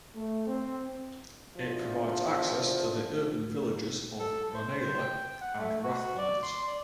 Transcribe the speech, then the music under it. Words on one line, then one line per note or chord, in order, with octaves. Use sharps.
It provides access to the urban villages of Ranelagh and Rathmines.
A3
C4
E2 D3 F3
A4
C5
C5
G5
F#5
A3
F#4
D5
C6
D5